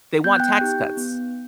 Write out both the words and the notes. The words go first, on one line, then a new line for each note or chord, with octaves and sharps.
they want tax cuts.
B3 G6
F#6
G5 G6
D#4 G4
B3